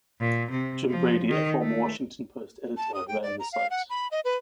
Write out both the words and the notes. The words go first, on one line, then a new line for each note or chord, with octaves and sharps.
Jim Brady, a former "Washington Post" editor, ran the site.
A#2
C3
F3
D#3
A3
A5
D#6
G5
D5
A#5
F5
F#5
B5
D#5
B4